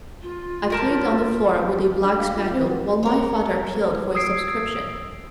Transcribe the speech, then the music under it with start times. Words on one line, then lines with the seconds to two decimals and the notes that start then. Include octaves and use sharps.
I played on the floor with a black spaniel while my father appealed for a subscription.
0.22 F4
0.70 G3 A#4 A5
2.02 D4
2.17 F5
2.34 F4
2.53 C4
2.67 F#4
3.03 A#4 C#5
4.15 D#6 E6 G#6 C7 D7